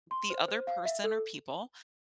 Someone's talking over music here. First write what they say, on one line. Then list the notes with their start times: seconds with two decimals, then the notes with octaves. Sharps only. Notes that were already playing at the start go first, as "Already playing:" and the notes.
the other person, or people,
0.11 C6
0.30 C5
0.48 C5
0.67 F5
0.85 E5
1.04 A4